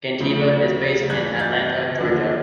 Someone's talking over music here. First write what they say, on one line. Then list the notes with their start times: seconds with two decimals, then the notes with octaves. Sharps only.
Gentiva is based in Atlanta, Georgia.
0.20 D2 C#3 F3
1.09 G2 E3 F#6 G#6
1.39 G6 A6
2.00 D#2 D3 F3